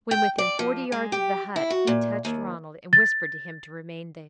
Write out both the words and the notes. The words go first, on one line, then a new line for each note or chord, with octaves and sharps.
When within forty yards of the hut, he touched Ronald and whispered to him to remain there.
G5
D5
F3
G#3
G4
E4
F#4
A#2
D#2
A6